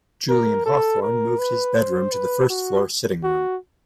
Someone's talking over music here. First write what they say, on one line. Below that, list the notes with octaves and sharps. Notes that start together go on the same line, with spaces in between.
Julian Hawthorne moved his bedroom to the first floor sitting room.
A#4
A4
A#4
B4
C5
B4
F#4
F#4